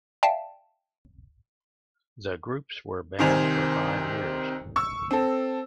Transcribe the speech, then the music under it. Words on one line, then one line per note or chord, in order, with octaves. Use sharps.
The groups were banned for five years.
D5 E5 F5 G5 A5
C2 C3 D#3 C5 G#5 F7
C#6 E6
C4 A4